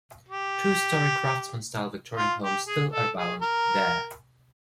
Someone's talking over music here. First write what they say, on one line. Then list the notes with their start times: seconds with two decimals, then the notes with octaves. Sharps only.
Two-story Craftsman-style Victorian homes still abound there.
0.29 G4
2.17 F4
2.42 G4
2.66 G#4
2.92 A4
3.17 G#4
3.42 A#4